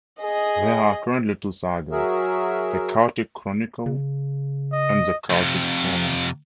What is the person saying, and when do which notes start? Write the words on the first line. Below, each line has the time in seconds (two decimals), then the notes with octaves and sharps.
There are currently two sagas: "The Chaotic Chronicle" and "The Chaotic Throne".
0.22 G#4 D#5
1.92 F#3 F#4 G#4 A#4 E5
3.86 C#3
4.72 D#5
5.30 F2 C3